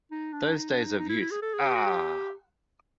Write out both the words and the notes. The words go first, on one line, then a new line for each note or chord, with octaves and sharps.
Those days of youth, ah!
D#4
D4
D#4
D4
D#4
D#4
E4
E4
G#4
A4
G#4
G4
F#4
G4